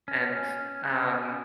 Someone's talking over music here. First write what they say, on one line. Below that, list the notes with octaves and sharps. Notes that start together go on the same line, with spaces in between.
and, um,
C#4